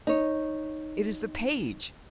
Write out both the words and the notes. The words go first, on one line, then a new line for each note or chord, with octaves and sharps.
It is the page!
D#4 C#5